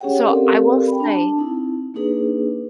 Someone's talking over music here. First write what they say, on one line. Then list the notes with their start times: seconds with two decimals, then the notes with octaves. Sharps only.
So, I will say
0.01 C#4 G4 G#4 C#5 F#5 G5
0.27 C4 G4 A4 A#4 D5 F5
0.88 G5 B5
1.00 D4 A5
1.37 C4 D#4 E4
1.94 A#3 D4 D#4 G#4 B4